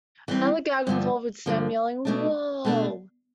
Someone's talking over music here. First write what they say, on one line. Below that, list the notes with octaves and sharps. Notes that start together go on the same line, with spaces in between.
Another gag involved Sam yelling 'Whoa!
E3 G3 C4
G2 D3 F3
G2 D3 F3
B2 A3 D4
B2 A3 D4